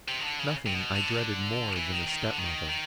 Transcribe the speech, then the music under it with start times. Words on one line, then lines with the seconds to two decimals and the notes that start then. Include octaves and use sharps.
Nothing I dreaded more than a step-mother.
0.08 C3
0.19 D#3
0.23 D3
0.39 C#3
0.67 C3
0.74 B2
0.95 D3
1.77 E3
1.92 D#3
2.07 D#3
2.24 D3
2.38 D#3
2.69 D#3